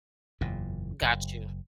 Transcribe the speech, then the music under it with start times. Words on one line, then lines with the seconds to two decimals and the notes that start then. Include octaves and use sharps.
Got you.
0.41 F#1 E2 A#2
1.02 F#1